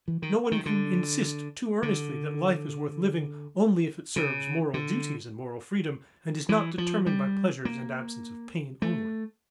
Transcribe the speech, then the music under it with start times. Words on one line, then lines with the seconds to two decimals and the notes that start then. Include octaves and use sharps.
No one can insist too earnestly that life is worth living only if it serves moral duties and moral freedom and is not determined by pleasures and absence of pain only.
0.08 E3
0.22 D#3
0.52 D#3
0.66 D3
1.83 D3
4.16 C#3
4.74 D3
6.49 E3
6.78 F3
7.06 G3
7.65 A#3
8.82 A3